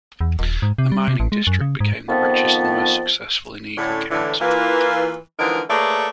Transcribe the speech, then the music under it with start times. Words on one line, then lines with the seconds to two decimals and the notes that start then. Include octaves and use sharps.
The mining district became the richest and most successful in Eagle County.
0.21 E2
0.39 D#1
0.62 G#2
0.78 C3
0.92 G3
1.08 C3
1.20 A1
1.32 G#3
1.47 F#2
1.61 C#3
1.80 G#2
2.09 F2 D#3 F3 B3 A5
3.77 A2 D3 C#4
4.10 A2 D3 E3
4.40 E3 A#3 F4
5.39 D3 E3 F3 G#3 D#4 A#4
5.69 A3 A#3 G#4 B4 C#5 D5